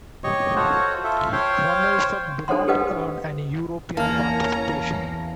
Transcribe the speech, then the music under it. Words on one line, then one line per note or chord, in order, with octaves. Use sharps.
Runners-up do not earn any European participation.
G4 C#5 D#5 C#6
F4 F#4 A4 C5 C#5 F#5
F4 A4 E5
C5 C#5 F5 G5 C6
D4 A4 C5 C#5 F#5 C6
G4 A4 B4 D#5 F5 F#5
E2 A#3 C#4 F5 A5 A#5